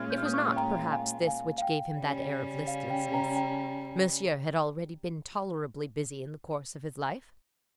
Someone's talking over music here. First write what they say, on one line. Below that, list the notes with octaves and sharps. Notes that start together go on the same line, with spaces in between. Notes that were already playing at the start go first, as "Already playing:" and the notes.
It was not, perhaps, this which gave him that air of listlessness. Monsieur had already been tolerably busy in the course of his life.
Already playing: A#2 G#3 C#4 F4 F6 G#6
G6
F6
D#6 G6
C#6 F6
G5 A#5
F5 G#5
F5 G#5
F5
G5
C#3 G3 C#4
F5
G5
G5 A#5
G5 A#5